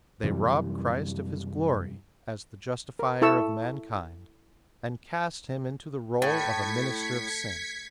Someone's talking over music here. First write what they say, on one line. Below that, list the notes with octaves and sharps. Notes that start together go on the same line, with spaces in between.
They rob Christ of His glory as the Justifier of mankind and cast Him into the role of a minister of sin.
F#2 C3 E3 G3
A#4
E4 A4 A5 C#6 E6
A2 G#6 B6 C#7